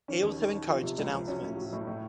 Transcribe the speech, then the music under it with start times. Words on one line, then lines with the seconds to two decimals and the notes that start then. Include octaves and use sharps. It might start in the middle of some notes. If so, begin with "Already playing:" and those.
He also encouraged denouncements.
0.08 D#3 C#4
0.23 D#2
0.38 D#3
0.53 D#3
0.68 F3
0.83 C3
0.98 C#2
1.12 F3
1.28 F#3 C#4
1.43 A2
1.57 F#3
1.73 A2
1.87 A2